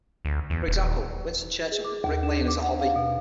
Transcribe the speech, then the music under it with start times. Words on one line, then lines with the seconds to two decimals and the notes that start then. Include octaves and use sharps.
For example, Winston Churchill did bricklaying as a hobby.
0.25 D2
0.50 E2
0.67 D#1
1.72 G#4
1.85 D6
2.04 D#2
2.23 D4
2.48 D6
2.62 F#5
2.79 F5
2.96 B2